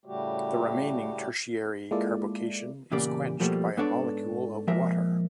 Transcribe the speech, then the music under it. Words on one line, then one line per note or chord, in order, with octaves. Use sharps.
The remaining tertiary carbocation is quenched by a molecule of water.
A2 C#3 G3 A3 F#4 G4
G#3 A#3 E4 F4 A4 D5
E2 A#2 C#3 A#3 G4 D5
B2 F3 G3 A3 A#3
G#2 B3 D4 A4 C#5 D5
A#2 F3 G#3 A#3 A#4 E5